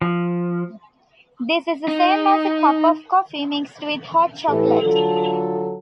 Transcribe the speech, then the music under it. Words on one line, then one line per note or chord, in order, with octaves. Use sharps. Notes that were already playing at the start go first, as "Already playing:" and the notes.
This is the same as a cup of coffee mixed with hot chocolate.
F3
D#4
A2 E3 E4 G4 A4 B4
D3 F#3 F4 A4